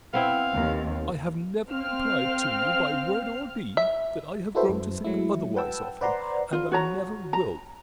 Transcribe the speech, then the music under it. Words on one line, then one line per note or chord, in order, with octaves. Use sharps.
I have never implied to you by word or deed that I have grown to think otherwise of him, and I never will.
B3 C4 E4 F5
D#2
C4 F5 F6
E5
E4 F#4 A4 B4 C5 E5
F#2
F#3 G#3 A3 E4
B4 F#5 G5 A5 E6
B4 C5 D5 F#5 A#5 C6
F4
F#4 C#5 A#5
A#5